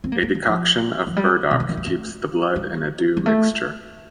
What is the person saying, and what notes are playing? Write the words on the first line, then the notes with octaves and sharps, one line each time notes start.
A decoction of burdock keeps the blood in a due mixture.
C4
A#3
A#3
G3
F3
F3
G3
C3
D3
D#3
G3
A3
G3
G3
A3